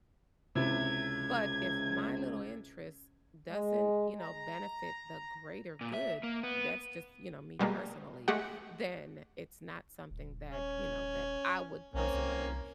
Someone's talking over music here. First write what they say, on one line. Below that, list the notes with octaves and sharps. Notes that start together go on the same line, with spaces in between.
but if my little interest doesn't, you know, benefit the greater good, that's just you know, me personally, then it's not something that, you know, that I would personally
C#2 C3 E4 G#6
G#3
A#5
A#2
E5
A#3
B3
B2 G3 G#3 A#3
G#3 A3 G4 F#5
D#1
C#4
B1 A#3 C4 C#4
C2